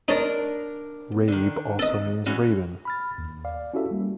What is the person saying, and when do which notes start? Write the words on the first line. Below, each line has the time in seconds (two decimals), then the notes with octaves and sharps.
Rabe also means Raven.
0.08 D4 D#4 A#4 C#5 A5
1.28 D3 D#3
1.79 A4 D#5
2.26 E3 C#4 F#4
2.85 B5 F6 A6
3.18 D#2
3.45 D5 F5
3.74 C#4 E4 F#4 G4 A4 E5
3.91 G3 A#3